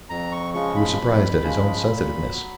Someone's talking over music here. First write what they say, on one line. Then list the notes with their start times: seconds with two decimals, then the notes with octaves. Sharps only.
He was surprised at his own sensitiveness.
0.10 F2 A#5
0.32 C#6
0.54 C#3 F3 G#3 C#6
0.76 B5
0.98 F2
1.42 C#3 F3 G#3
1.87 A#2
2.31 F#3